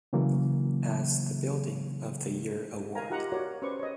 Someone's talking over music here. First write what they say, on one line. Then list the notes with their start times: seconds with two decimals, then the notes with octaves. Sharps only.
As the Building of the Year Award.
0.13 C#3 E3 F#3 A#3
2.95 A#4 F5 G#5 A#5
3.10 D#4 F4 G4 F#5 A#5
3.32 F#4 A#4 C#5 D5
3.62 C#4 B4 C5 D5 C#6
3.79 C#5 D#5